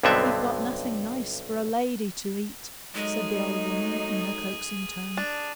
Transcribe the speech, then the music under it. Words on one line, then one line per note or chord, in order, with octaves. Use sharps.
"We've got nothing nice for a lady to eat," said the old woman, in her coaxing tone.
B1 G2 D3 B3 C4 E5
F#3 G#3 A3 D#4 G#4
D4